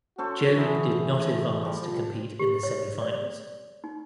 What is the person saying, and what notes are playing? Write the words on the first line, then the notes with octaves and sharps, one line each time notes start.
Jobe did not advance to compete in the semifinals.
C#4 F#4 A4 C5
E3 E4 G#4
A3
F3 G3
G4
C#5
D5
D#4